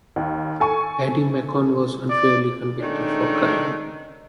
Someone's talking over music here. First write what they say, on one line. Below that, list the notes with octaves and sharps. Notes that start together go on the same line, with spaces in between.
Eddie Macon was unfairly convicted for crime.
D#2
A4 G#5 C#6
D5
D#3 G#3 A3 C#4 D4